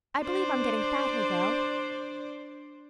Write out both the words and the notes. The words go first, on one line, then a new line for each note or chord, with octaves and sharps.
I believe I'm getting fatter, though.
D4 C5 D5